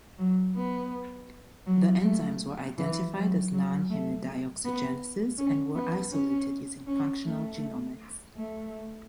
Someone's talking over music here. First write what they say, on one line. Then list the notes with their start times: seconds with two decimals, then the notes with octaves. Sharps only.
The enzymes were identified as non-heme dioxygenases, and were isolated using functional genomics.
0.19 F#3
0.56 B3
1.67 F#3
2.04 A3
2.78 E3
3.16 F#3
3.53 F#3
3.90 A3
4.65 B3
5.38 C#4
5.76 B3
6.13 C#4
6.87 C#4
7.25 A3
8.36 A3